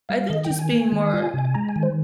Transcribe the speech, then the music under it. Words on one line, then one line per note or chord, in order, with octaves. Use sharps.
I think just being more
G3 F5
F5
D#3 D#5
G5
D#3
G#5
A#3
D#3
F4
C3
G#3 A#5
G#5
D#3
C5